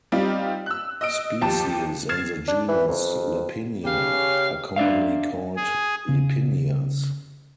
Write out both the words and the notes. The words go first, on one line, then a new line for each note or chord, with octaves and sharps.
Species in the genus "Lipinia" are commonly called lipinias.
G3 C4 D#4 F4 G4
E6 F#6
D#5 D#6 E6 D7
D#2 F3 G4 A5
F6 G#6 A6 C7 E7
D4
E3
F2
C#3 C#4 G4 F5
D4 D5 E5 F5
G#4
C#3